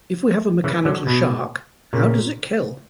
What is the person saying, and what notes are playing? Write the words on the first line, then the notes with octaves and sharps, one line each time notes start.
If we have a mechanical shark, how does it kill?
C#3 E3
D3 F#3
B2
A#2 C#3